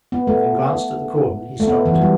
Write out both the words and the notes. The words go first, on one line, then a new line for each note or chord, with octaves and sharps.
Having glanced at the cordon he stopped.
B3
A3
A3
B3
E3
F#3
G3